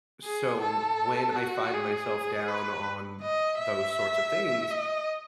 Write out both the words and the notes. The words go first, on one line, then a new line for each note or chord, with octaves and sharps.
so when I find myself down on those sorts of things,
G#4
A4
F#4
G#4
B4
D#5
E5
D#5